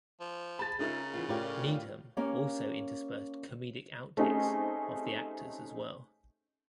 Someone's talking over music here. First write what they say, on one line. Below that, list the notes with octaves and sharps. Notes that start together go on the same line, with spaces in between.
Needham also interspersed comedic outtakes of the actors as well.
F3
G#4 A5 B5 A6
C#3 G#3 D#4 F4 A#4 E5
E3 B3 F4
A2 F4 G4 A#4 C#5 D5
A#3 C#4 G4 C#5 F5
A3 C4 C#4 D#4 G4 G#4